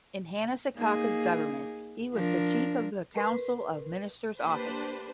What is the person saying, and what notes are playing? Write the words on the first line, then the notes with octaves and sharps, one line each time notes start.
In Hanna Suchocka's government, he was the chief of the Council of Ministers office.
A#3 D#4 G#4
F3 D4 A#4
A#4 B4
A#3 D4 G4 B4 C5